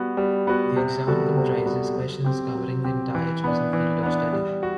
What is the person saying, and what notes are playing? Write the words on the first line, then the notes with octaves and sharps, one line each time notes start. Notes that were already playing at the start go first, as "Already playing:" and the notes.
The exam comprises questions covering the entire chosen field of study.
Already playing: G3 B3 F#4
G3
B3 F#4
C3
G3 B3 F#4 A4
C3
G3 B3 F#4 A4
F#3
C4 G4
F#3
C4 G4
E3
B3 D4
E3
B3 D4
G3
F#4